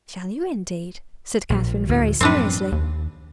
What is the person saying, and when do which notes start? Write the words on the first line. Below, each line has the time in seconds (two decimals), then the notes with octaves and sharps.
"Shall you indeed!" said Catherine very seriously.
1.50 A#1
1.89 D2 A2
2.21 F#2 A2 F3 C4 D4 B4
2.72 D#2